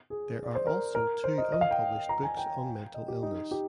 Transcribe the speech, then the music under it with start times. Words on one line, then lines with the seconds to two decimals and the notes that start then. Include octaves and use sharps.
There are also two unpublished books on mental illness.
0.10 G#4
0.44 D5
0.55 C5
0.67 A#4
0.95 A#4
1.24 C5
1.38 D#5
1.52 D#5
1.61 F5
1.71 G5
2.09 A#5
2.23 G#5
2.37 G5
2.94 D#5
3.08 G4
3.23 D#4
3.51 G4